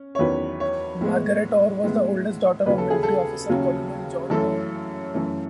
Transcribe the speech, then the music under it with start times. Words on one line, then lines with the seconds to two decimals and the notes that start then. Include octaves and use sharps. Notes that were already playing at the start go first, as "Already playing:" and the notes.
Margaret Orr was the oldest daughter of military officer Colonel John Orr.
Already playing: C#4
0.15 C#5
0.19 E2 D#3 F#3 C#4 B4
0.60 C#5
1.01 A2 G#3 B3
1.84 A2 G#3 B3
2.65 D#2 C#3 F#3 C#4 B4
2.78 A4
2.90 G#4
3.03 A4
3.49 D#2 C#3 F#3 C#4
4.30 F#2 E3 A3 C#4 A4
5.13 F#2 E3 A3 C#4